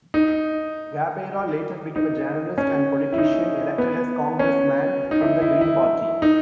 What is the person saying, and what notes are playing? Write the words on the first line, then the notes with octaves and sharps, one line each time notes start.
Gabeira later became a journalist and politician, elected as congressman from the Green Party.
D#4
D#4
C#4
E4
D#4
B3
C#4
D#4
E4
E4
E4
D#4